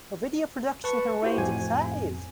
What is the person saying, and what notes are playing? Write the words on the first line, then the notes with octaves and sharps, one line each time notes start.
A video production can range in size.
B4 A5 C#6
E4 F#4 G4 C5
F2 A2 G#5